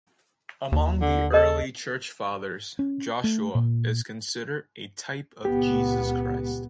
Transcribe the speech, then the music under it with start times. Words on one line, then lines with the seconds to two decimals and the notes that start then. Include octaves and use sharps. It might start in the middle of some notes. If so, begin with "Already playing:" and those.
Among the early Church Fathers, Joshua is considered a type of Jesus Christ.
0.72 D#2
1.02 D3
1.33 A4 A#4 D#5
2.79 C#4
3.24 A3
3.55 A#2
5.45 C#2 A#2 B3 G4